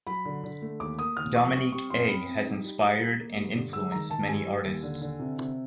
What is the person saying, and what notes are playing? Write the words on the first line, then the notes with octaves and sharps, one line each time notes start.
Dominique A has inspired and influenced many artists.
F#3 B5
D3
D3
A3
D#2 D6
A#3 D#6
D#2 F6
F3 C#6
G3 C#6
C4 C#6
F#2 C6
C4 B5
C4
D#4
G3
G3
A#3
A#3
G2
D3
G#3 E6
D#3 A#5
D#3 A5
G2 G#5
G3
D#2
D3
D3
C3
C3